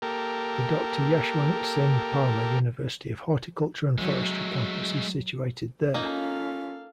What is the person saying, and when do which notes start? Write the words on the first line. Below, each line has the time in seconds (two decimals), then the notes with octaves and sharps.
The Doctor Yashwant Singh Parmar University of Horticulture and Forestry campus is situated there.
0.02 A#3 G4 A4 A#4
3.98 F#3 G#3 A3
5.94 A#3 C#4 D#4 F4 A4 F5